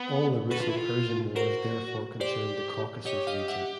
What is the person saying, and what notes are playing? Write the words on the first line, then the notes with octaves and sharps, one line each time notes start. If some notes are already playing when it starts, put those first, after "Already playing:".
All the Russo-Persian Wars therefore concerned the Caucasus region.
Already playing: B3
F#4 A4 B4
F4
E4
F4
F#4 A#4 C5
G4 C5 D5
G4 C#5 D#5
D#5 F5
E5 F#5